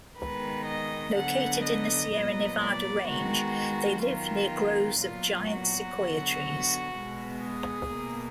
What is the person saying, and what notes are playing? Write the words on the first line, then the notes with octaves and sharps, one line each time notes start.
Located in the Sierra Nevada range, they lived near groves of giant sequoia trees.
D#3 G#3 B3 B4
D#5
D3 F#3 B3 F#5
D#5
A#2 F#3 B3
D5
D#3 G#3 B3 F#4
D#3 F#3 B3 F4
A#2 F#3 B3 F4
F#4
D3 F#3 B3
B2 G#3 B3
G#4
B2 A#3